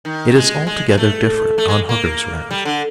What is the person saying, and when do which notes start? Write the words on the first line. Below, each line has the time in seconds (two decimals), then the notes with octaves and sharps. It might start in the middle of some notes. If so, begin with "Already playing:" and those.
It is altogether different on Hooker's ranch.
0.05 D#3
0.35 G#3
0.67 G#3
0.89 G#3
0.97 A3
1.58 A3
1.68 G#3
1.89 A#3
2.51 G3
2.65 D3